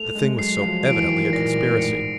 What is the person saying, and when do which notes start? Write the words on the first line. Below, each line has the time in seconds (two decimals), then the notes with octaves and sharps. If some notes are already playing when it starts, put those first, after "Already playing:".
The thing was so evidently a conspiracy.
Already playing: A3 F7
0.15 G#3
0.39 F#3 C7
0.62 F3
0.85 E3 D7
1.09 D#3
1.32 A#2 A#6
1.56 A2
1.79 G#2 C#7